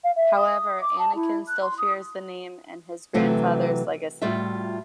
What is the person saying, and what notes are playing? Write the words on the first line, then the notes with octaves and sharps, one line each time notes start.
However, Anakin still fears the name and his grandfather's legacy.
F5
E5
D#6
D6
A5
E4
F#6
C6
D#6
C3 E3 F#3 A3
A2 G3 F4 F#4 E5